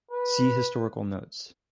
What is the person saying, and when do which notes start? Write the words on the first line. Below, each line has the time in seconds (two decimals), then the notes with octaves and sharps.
See historical notes.
0.11 B4